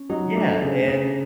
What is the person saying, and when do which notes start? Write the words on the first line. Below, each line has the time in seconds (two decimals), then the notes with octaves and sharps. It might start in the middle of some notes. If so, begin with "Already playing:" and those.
Yeah, and
Already playing: C#4
0.10 F#3 D#4
0.36 A3 D4
0.62 C#3
0.88 C#3